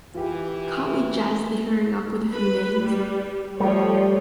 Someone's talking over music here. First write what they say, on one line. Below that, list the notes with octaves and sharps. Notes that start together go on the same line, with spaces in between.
Can't we jazz the hearing up with a few names?
E3 F4 G4
B4 B5
G3
F3 G3 A3 C#5